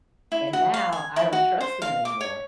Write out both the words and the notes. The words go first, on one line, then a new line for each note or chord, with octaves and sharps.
and now I don't trust them anymore."
E4
F#4
F5
G#5
E4
F#4
C5
F5
D6
C#5